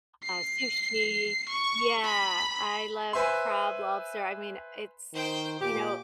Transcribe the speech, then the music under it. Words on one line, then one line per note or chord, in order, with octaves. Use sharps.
uh, sushi yeah, I love crab, lobster I mean, it's, you know
C7
C#6
B5
B4 C5 E5 G#5 C6
D#3 C5 G5
A#2 G4 D6